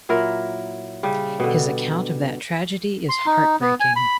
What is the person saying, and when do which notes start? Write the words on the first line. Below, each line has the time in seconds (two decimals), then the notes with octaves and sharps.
His account of that tragedy is heartbreaking.
0.09 A#2 F#3 E4 A#4
1.03 C#3 G3
1.40 B2 D3
3.09 C6
3.26 D#4
3.61 B3
3.80 G#5
3.96 B5